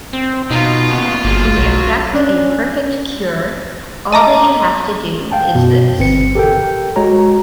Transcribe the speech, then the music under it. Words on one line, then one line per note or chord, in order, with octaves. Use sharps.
To effect a perfect cure all that you have to do is this.
C4
B2 D#4 F4
A#2 C#3 B3
G1 A#3 F#4 G#4
B1 F#3
C#4 D4
D#5 A5 A#5 D6
F5 G5 A5
F#2 B2
G1 C4 B4 C#7
G4 A4 A#4 G5
G#3 F#4 C#5 A#5